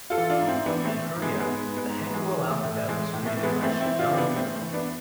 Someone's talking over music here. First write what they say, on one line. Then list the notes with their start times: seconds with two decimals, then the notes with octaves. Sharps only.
In Korea, the Hangul alphabet was created by Sejong the Great.
0.10 F4 A4
0.17 E3
0.30 D4 F4
0.41 G#2
0.47 C4 E4
0.66 E3 B3 D4
0.84 A3 C4
0.91 E3
1.15 G#2
1.22 G#3 B3
1.40 G#2 G#3 B3
1.65 G#2
1.77 G#3 B3
1.89 G#2
2.11 A3
2.14 E3 G#3
2.40 E3
2.51 A3
2.63 A2
2.88 E3 G#3
3.13 A2
3.26 A3
3.37 E3
3.43 G#3 B3
3.62 E3 A3 C4
3.81 C4 E4
3.86 E3
3.99 D4 F4
4.11 E3 C4
4.18 B3 D4
4.36 E3 A3 C4
4.55 A3
4.61 E3
4.73 B3 D4